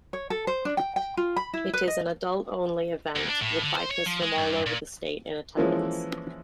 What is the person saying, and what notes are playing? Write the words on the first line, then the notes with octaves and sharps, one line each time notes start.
It is an adult-only event, with bikers from all over the state in attendance.
C#5
A4
C5
D4
G5
G5
F4
B5
E4
B4
D#5
D2
D4
A2
D3
C5
C#5
F3
G#3
G2
A#2
E3 F3 G#3 A#3 C#4 E4